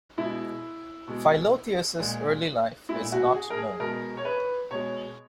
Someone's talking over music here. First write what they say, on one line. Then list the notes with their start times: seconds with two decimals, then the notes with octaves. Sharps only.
Philotheus' early life is not known.
0.17 B2 G#3 E4
1.08 B2 G#3
1.98 A#2 G#3
2.89 A#2 G#3 E4
3.12 F#4
3.34 G#4
3.50 A#4
3.57 G#4
3.80 B2 G#3 A#4
4.17 C#5
4.25 B4
4.71 B2 G#3 C#5